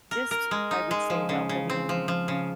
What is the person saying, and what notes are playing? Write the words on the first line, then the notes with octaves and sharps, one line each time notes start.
just, I would say, welcoming,
A#4
A#4
G#3
D#4
G#3
F3
C#3
C#3
C4
F3
F3
C#3